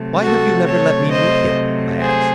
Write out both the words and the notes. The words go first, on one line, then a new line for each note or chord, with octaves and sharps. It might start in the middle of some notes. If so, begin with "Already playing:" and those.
"Why have you never let me meet him?" I asked.
Already playing: C3 F#3 A3
F#4 A4
A4 C#5
C5 D#5
G#4 C5